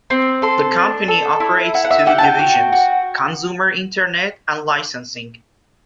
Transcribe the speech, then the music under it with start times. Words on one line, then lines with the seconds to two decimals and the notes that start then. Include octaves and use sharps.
The company operates two divisions: consumer internet and licensing.
0.10 C4
0.42 A4 C6
0.75 D4
1.08 A4
1.40 E4
1.74 E4 F#5
1.84 F#5
1.91 E5
2.06 G4 F#5
2.18 A5
2.23 G5
2.39 F#4
2.73 F#4